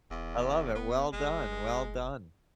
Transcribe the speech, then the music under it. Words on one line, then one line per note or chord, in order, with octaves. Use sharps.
I love it. Well done, well done.
E1 E2
B3
F#1 G#3